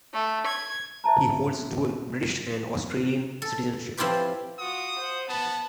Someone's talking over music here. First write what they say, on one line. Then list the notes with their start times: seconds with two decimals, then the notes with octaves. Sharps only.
He holds dual British and Australian citizenship.
0.13 A3
0.47 G#6
1.04 C5 E5 A5 A#5
3.42 A4
3.97 F3 C4 E4 F4 G4 B4
4.59 F4 F#4 D#6
4.98 C5 F#5
5.29 B3 A5 B5